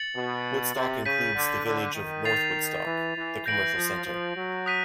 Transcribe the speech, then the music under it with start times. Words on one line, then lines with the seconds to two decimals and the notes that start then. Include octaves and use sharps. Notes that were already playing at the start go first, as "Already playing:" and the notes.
Woodstock includes the village of North Woodstock, the commercial center.
Already playing: A6 C#7 F#7
0.15 B2
0.75 C3
1.06 C#3 G6 B6 D#7
1.35 D3
1.66 D3
1.95 D#3
2.25 A6 C7 F7
2.86 E3
3.16 E3
3.46 E3 G6 A#6 D7 F#7
3.75 F3
4.06 F3
4.36 F#3
4.66 D#6 F#6 B6 D#7